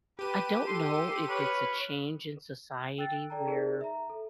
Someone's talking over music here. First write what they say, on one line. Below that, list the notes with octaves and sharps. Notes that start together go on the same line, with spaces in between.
I don't know if it's a change in society where,
G4 B4 A5 D#7
A4 C6
B4 C#5 F6
G5 E6 F#6 A6
D7
A4 D5 G5 A5 A#5
D#4 G#4 A#4 D5
E5 A#5
A4